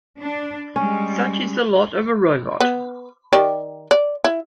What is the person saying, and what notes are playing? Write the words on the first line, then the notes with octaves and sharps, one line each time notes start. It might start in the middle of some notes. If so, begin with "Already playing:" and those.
Such is the lot of a robot.
D4
G3 G#3 C#4
B3
D#3 G4 D5
D5
E4